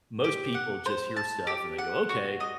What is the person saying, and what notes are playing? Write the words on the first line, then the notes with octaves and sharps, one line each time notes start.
Most people just hear stuff, and they go, "Okay,"
G4
F#5
C5
A5
G4
F#5
F#4
D#5